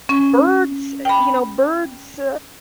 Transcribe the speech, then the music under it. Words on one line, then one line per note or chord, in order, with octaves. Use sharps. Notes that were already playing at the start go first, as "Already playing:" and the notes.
Birds, eh, you know, birds, uh,
C#4
G5 B5